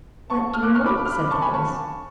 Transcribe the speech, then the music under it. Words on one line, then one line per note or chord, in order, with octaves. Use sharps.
"What do you want?" said the voice.
A5 C#6
F6
D6 F#6
C#6 F6
B5 D6
D6
F6
B5 D6
A5 C#6
G#5 B5
A5 C#6